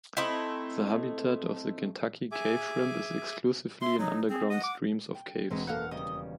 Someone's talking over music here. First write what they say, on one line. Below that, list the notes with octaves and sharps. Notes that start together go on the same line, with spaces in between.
The habitat of the Kentucky cave shrimp is exclusively in underground streams of caves.
A3 C4 D#4 E4
G#4 E5 G#5 D6
E5 C6
F#3 D#4
C4 G#4
D#5 F#5
D6
G5
E1 G#3 C4 F#4 D#7
F#2 A#3 A4 F5 F#5
D#2 C#3 G3 D#5